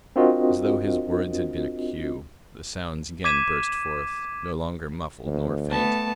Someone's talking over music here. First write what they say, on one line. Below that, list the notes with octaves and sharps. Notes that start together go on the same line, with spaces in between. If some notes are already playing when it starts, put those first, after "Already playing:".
As though his words had been a cue, the sounds again burst forth--no longer muffled nor faint.
C4 D4 F4 F#4 A#4 D#5
D6 G#6 B6 D#7 E7
D2
A3 B3 A5